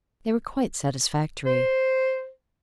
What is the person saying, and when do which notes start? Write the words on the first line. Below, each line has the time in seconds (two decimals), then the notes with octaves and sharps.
They were quite satisfactory.
1.46 C5